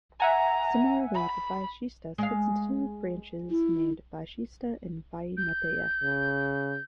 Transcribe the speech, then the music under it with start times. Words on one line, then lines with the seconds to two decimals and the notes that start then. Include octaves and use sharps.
Similarly the Vasishta splits into two branches named Vasishta and Vainateya.
0.20 E5 F#5 G#5 A#5
1.15 B5
2.18 G#3 F5
3.50 E4
5.37 G6
6.03 C#3